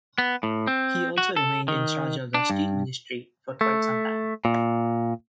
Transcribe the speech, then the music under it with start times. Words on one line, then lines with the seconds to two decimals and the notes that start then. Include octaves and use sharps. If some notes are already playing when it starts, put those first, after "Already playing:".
He also remained in charge of the Steel Ministry for quite some time.
0.18 B3
0.43 A2
0.67 C4
1.18 F#4
1.36 A4
1.68 D#3
2.34 D4
2.50 G2
3.61 A3
4.45 A#2